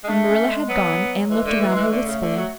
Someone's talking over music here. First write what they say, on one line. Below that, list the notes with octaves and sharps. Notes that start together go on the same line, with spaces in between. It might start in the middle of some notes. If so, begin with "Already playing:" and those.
When Marilla had gone Anne looked around her wistfully.
G#3
A3 D4
C#4
G#3
F#3 B3
E3 G#3
D3 A3
E3
E3 G#3
D3 A3
C#3
D3
F#3